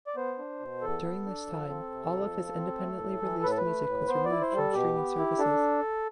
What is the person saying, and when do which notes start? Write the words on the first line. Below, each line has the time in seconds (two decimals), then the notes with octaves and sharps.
During this time all of his independently released music was removed from streaming services.
0.07 D5
0.16 B3 C5
0.38 D4
0.60 B2
0.81 E2 A4
1.03 B3
1.26 D4
1.47 F3
1.69 C4
1.91 C3
2.13 F2
2.33 F3
2.55 C4
2.78 A3
2.99 A2
3.21 E3
3.43 A2 B4
3.51 A4
3.57 B4
3.65 A3
3.86 A2
4.08 B3 C5
4.25 D5
4.30 E4
4.41 C5
4.52 G3
4.57 A4
4.73 B2 G4
4.95 B3
5.17 E4
5.38 D4 A4